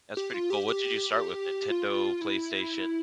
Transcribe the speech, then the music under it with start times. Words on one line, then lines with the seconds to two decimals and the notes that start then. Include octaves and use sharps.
That's pretty cool, what did you start with? Nintendo? PlayStation?
0.17 G4
0.34 F4
0.50 G4
0.68 G4
1.70 F4
2.21 E4